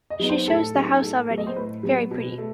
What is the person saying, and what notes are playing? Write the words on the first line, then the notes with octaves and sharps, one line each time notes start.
She shows the house already - very pretty.
D#5
F#3 B3 D#4
C5
A2 A4
F#3 B3 D#4
A2 A4
F#3 B3
D#5
C5
A2 B4
F#3 B3
B2
A3